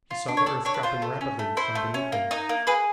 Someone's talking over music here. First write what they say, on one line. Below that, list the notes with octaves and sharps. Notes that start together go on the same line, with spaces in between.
He saw the earth dropping rapidly from beneath him.
F4
D4
C#5
A4 D5
D4 C#5
B4
F4 C5
A3
C#4
A3
E4 C5
A3
C#4
A#3
D#4
A#3
G#4 B4